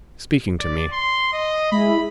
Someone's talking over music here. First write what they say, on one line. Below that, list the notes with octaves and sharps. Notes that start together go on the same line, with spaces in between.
Speaking to me.
D5
C6
D#5
G#3 E4 B5